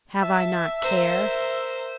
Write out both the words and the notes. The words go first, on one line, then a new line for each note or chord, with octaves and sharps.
Have I not care?
E5 A5
A#4 C5